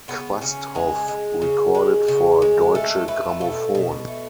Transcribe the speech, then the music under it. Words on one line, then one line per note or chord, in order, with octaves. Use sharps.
Quasthoff recorded for Deutsche Grammophon.
C#3 B3
C#3 C#4
G#3 G#4
G#3
C#3
G#3
C#3
G#3
A3 A4
A3 B4
B2 A4
B2
A3